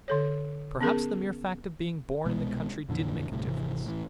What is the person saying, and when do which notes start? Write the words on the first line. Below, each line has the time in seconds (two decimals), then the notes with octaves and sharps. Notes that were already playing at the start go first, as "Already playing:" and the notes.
Perhaps the mere fact of being born in the country did make a difference.
0.08 D3 A4 C#5
0.81 B3 C#4 G#4 A#4
2.25 C2 B2 G#3 B3
2.89 F2 A#2 D3 E3
3.32 G1 C2 A2 C3
3.46 G#1 C3 E3
3.85 A2 E3